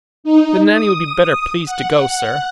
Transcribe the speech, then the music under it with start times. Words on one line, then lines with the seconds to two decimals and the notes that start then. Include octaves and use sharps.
"Then Nanny would be better pleased to go, sir."
0.24 D#4
0.72 D#6
1.65 F#5